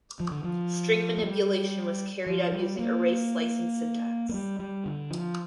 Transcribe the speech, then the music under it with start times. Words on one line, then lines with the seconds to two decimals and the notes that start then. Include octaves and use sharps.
String manipulation was carried out using array slicing syntax.
0.20 F3
0.31 D3
0.44 F3
1.17 A#3
1.23 G3
2.27 F3
2.52 G3
2.79 A#3
4.29 A#3
4.34 G3
4.59 G3
4.86 D3
5.11 F3